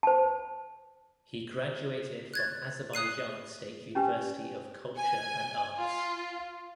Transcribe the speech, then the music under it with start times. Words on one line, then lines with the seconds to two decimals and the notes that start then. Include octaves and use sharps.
He graduated from Azerbaijan State University of Culture and Arts.
0.03 C5 A5
2.34 F#6 G#6 A6
2.93 D#6 F#6 C7 D#7
3.95 C#4 G4 B4 G#5
4.98 G#5
5.78 F4